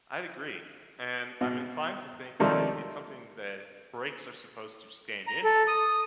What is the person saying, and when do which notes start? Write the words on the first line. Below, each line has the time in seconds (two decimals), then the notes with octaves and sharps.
I'd agree, and I'm inclined to think that it's something that breaks are supposed to stand in for,
1.41 B2
2.40 C3 D#3 F3 G3 A3 D4
5.27 A#5
5.44 A4
5.68 D#6